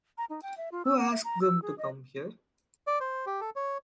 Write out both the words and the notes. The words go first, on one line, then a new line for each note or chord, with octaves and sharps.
Who asked them to come here?
A#5
D#4
G5
E5
F4
E6
F#5
E5
A#5
E6
G#4
D#5
D5
C5
G4
A4
C#5